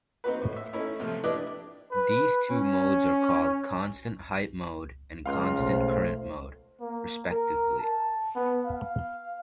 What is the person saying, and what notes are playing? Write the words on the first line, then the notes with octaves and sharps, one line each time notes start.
These two modes are called constant height mode and constant current mode, respectively.
C4 D#4 F#4 B4
A2
E5
A3 C#4 D#4 E4
C3 F3 A3
D4 E4 G4 B4 D5 D#5
B4
C#4
C#2 F5 C6
B1 A3 C5
A#3
A#4
A5
B3
F5